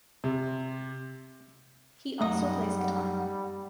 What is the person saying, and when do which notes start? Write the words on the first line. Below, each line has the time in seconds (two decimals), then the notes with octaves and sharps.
He also plays guitar.
0.24 C3
2.21 F#2 G3 A3 D#4 F#5 D#6